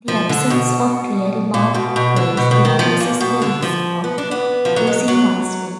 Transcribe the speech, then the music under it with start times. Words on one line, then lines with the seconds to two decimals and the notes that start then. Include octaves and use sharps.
The absence of clearly marked trails increases the risk of losing one's way.
0.08 F3
0.29 D3
0.50 B2
1.54 A#2
1.74 B2
1.96 B2
2.16 D3
2.37 B2
2.51 B2
2.65 D#3
2.79 F3
3.00 A#2
3.21 B2
3.42 D3
3.62 F3
4.04 B3
4.18 D4
4.31 B3
4.65 F3
4.76 F#3
4.87 G#3
5.08 F#3